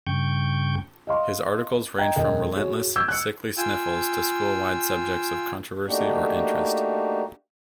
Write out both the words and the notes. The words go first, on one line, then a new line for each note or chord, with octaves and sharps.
His articles range from relentless sickly sniffles to school-wide subjects of controversy or interest.
G2 C#3 G5 C#6 G6
D#5 F5 C6
D#5 G5 A#5 G#6
E1 A#4 D#5 G5
F#4 G#4 C#5
D6 E6 G6 G#6
F#6 C#7
F4 G5 G#5 E6
A3 A#3 D4 D#4 F#4 G4